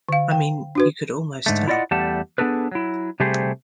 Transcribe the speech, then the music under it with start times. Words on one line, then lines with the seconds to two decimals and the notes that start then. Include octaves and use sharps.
I mean, you could almost tell.
0.09 D3 F5
0.31 G5
0.75 D4 F#4 B4
1.46 G#2 D3 A3
1.68 E4 F4 D5 D#5 F#5
1.91 E2 G3 A3 G4 F#5 A5
2.38 B3 D4 G#4 A4 B4
2.71 F#3 E4
3.20 C3 G3 A3 G4 G#4 C5